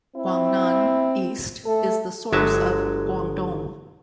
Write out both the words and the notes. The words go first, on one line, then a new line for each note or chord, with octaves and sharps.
"Guangnan East" is the source of "Guangdong".
C4 E4
A3 A4
G1 D3 F#3 G#3 E5 A5